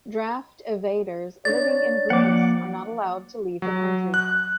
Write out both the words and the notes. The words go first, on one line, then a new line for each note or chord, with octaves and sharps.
Draft evaders living in Greece are not allowed to leave the country.
D4 C#5 D5 A6
F3 A#3 F#5 D6
F#3
F#6